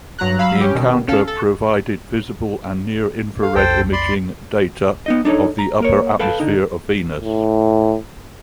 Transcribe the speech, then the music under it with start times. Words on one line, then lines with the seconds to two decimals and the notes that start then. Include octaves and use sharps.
The encounter provided visible and near-infrared imaging data of the upper atmosphere of Venus.
0.19 G2 F#3 A#5 F#6
0.38 F#3 F5 B5 E6
0.61 C#4 G4
0.75 B2 D#3 G3
1.08 C#4 A4 F5
1.28 A4
3.42 A4 F5
3.55 B1 F2 A4 C5 G5
3.93 D5 B5 C6
5.06 B3 D#4 D#5
5.25 D4 D#4 A4 C#5
5.59 A#5
5.80 A#3 A#4 C#5
6.19 A4 B4 F5 G5 A5
6.40 D3 D#4
7.21 A2